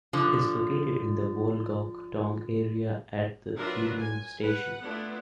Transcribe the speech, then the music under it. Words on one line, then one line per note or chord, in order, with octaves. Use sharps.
It is located in the Wolgok-dong area at Gireum Station.
D3 F3
F#3 D4 F4 A#4 B4 E5
G#5
B4 F#5
A3 B3 D4 E4 F4